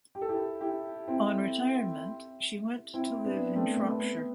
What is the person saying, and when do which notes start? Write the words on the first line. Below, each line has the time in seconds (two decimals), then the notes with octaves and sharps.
On retirement she went to live in Shropshire.
0.15 G4
0.22 A4
0.29 E4 G4
0.61 E4 G4
1.08 C4 E4
2.94 C4 E4
3.25 B3 D4
3.56 A3 C4
3.77 A3
3.87 B3